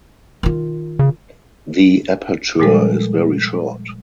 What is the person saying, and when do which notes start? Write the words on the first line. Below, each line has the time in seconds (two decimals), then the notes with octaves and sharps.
The aperture is very short.
0.43 D#3 F4
0.99 C#3
2.60 A#2 F3 G3 G#3 A4